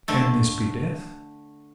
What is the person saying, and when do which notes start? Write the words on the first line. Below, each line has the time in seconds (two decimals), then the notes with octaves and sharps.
'Can this be death?
0.08 D3 A3 A4